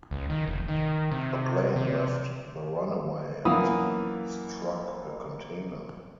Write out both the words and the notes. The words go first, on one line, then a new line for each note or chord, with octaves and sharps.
The plane left the runway and struck a container.
C#2
D#3
F1
D#3
C3
C3
F#2 E3 A#3 F5 B5 D#6